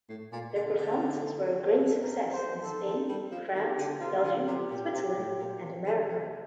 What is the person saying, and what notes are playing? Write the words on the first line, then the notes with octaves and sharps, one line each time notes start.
Their performances were a great success in Spain, France, Belgium, Switzerland and America.
A2
A#2
D3
D3 G4
A4
A4
A#4
C5
D#3 A4
D#3
G3
F3
D#3 G4
D3
C3 F4
D3
C3 G4
A#2
C3
A2
A#2
C3
D3
C3